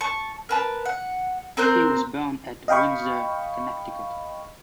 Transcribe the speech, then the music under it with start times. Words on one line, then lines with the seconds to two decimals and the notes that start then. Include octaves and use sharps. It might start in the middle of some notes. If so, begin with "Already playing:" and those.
He was born at Windsor, Connecticut.
0.01 A5 C#6
0.49 A#4 B4 A5
0.86 F#5
1.57 C4 A#4 C5 F#6
2.68 D#5 F5 G5 B5 C#6